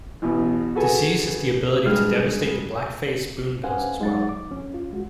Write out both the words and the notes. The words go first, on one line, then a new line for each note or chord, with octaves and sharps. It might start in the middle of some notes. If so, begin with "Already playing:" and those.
Disease has the ability to devastate the black-face spoonbills as well.
A1 B2
F#4 G#4 A4 B4 G#5
G2 G#3 G#4 F6
C#4 B4 C5 F5 F#5 G#5
F#3 G#3 D#4 F#5 A6
D6
F2 C#4
F4
G#3 F#4